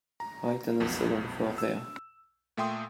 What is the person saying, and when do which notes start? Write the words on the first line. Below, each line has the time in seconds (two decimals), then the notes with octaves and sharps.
Right on the second floor there.
0.20 A#5
0.80 B1 F2 B2
1.58 E6
2.57 A#2 A3 E5 G5 C6 D#6